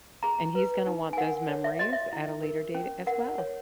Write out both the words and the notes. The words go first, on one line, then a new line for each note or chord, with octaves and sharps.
and he's gonna want those memories at a later date as well.
G#4 A#5
B4
D#4
G#5
A#4 F#5
C#5
E5
F#4 D#5
E5
E4
A#4
C#4
A#4 F#5
C#5